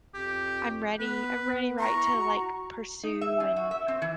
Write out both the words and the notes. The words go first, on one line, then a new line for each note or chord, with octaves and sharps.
I'm ready I'm ready, right, to, like, pursue and,
F2 G4
B3 B4
B3
E4 A#5 C#6
F#4
D#4
E5
F#2
F#4
E5
C4
E3